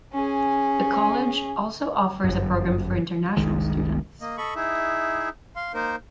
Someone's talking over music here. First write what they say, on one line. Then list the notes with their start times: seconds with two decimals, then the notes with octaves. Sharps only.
The college also offers a program for international students.
0.13 C#4 G#4
2.24 G1 F#2
3.37 F#1 C2 D#3 G#3
4.21 A#3 D#5
4.37 A4 D#5 B5 C#6
4.56 D#4 E4 G#4 E5
5.56 F5 C6
5.74 A#3 D#4 A#4 C5